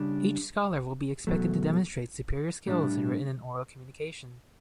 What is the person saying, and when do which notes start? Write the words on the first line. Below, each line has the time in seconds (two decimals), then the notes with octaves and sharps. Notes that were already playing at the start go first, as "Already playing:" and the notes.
Each scholar will be expected to demonstrate superior skills in written and oral communication.
Already playing: C#3 G3 D4
1.27 E2 B2 F#3 A3
2.67 A2 G3 D4